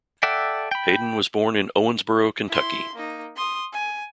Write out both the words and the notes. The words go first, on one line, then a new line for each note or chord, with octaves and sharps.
Hayden was born in Owensboro, Kentucky.
A4 D5 E5 F#5 G5
G5 B5
E4 C6
A#3 D#4
C6 D#6
G#5